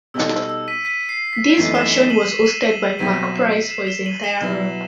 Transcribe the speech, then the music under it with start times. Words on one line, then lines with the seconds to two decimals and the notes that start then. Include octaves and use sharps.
This version was hosted by Marc Price for its entire run.
0.14 B2 G3 D#4 A4 E6
0.32 E6
0.49 E6
0.68 B6 D#7
0.85 B6 D#7
1.09 C7
1.33 B6
1.57 F#2 E3 A3 D#4 C7
1.74 E7 G7
1.92 E7 G7
2.10 D#7 F#7
2.28 B6 D#7
2.45 D#7 F#7
2.64 D#7 F#7
2.99 C2 B2 F#3 C4 B6 D#7
3.35 C7 E7
3.53 D#7 F#7
3.71 C7 E7
3.88 E7 G7
4.06 D#7 F#7
4.24 E7 G7
4.41 B2 F#3 B3 E4